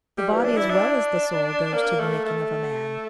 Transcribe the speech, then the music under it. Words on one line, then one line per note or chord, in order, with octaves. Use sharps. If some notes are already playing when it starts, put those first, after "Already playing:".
The body, as well as the soul, goes to the making of a Man.
G3
E3
D4
E4
D4
A#3
A3
A3